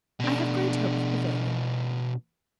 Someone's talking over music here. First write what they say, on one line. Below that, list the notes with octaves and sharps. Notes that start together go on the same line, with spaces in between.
I have great hope of prevailing.
B2 D4